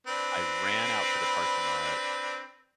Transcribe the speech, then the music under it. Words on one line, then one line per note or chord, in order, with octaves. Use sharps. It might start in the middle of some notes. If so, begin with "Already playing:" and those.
I ran out to the parking lot.
C4 D4 B4